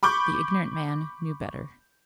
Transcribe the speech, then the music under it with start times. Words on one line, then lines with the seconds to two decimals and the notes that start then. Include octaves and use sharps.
The ignorant man knew better.
0.03 B5 C#6 D6 G6